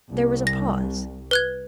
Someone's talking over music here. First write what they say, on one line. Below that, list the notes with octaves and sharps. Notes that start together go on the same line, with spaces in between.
There was a pause.
C2
A#6
B4 F#6 G#6